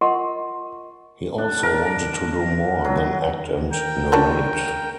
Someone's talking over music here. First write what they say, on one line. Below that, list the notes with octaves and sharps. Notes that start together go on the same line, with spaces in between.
He also wanted to do more than act and narrate.
F4 A#4 D#5 F#5 C6 C#6
D4
A#4
F#3
A#4 G5
A#3 C#4 D4